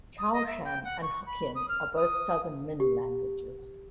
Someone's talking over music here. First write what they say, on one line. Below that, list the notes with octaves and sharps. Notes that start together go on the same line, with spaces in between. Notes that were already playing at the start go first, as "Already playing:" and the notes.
Chaoshan and Hokkien are both Southern Min languages.
D#6
D#5
E5
G5
F#5
C#6
B5
D#6
F6
D#6
G4